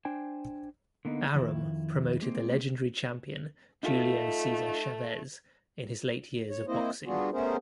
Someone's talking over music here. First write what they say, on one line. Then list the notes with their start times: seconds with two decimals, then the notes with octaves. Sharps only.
Arum promoted the legendary champion Julio Cesar Chavez in his late years of boxing.
0.05 D4 C5 G5 G#5
1.05 D3 A#3 B3 D#4
1.34 F2 D#3 E4
2.21 G#3 A#3 C4
3.83 A3 D#4 F4
6.50 C#5
6.67 A#3 C4 E4 C5 D#5
7.05 G3 B3 D4 F4 F#4 G#4
7.32 A3 B3 C#4 G#4 A#4 C5